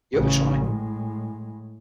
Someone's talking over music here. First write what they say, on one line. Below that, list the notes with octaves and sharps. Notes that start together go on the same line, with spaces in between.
You have a try.
A1 C#3
A2 G#3